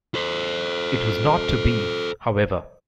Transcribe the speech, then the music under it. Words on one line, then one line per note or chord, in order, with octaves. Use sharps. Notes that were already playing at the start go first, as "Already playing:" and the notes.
It was not to be, however.
A4 C5